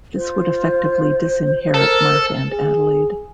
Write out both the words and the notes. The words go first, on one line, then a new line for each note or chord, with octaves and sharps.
This would effectively disinherit Mark and Adelaide.
F4 C5
A4 A#4
G#4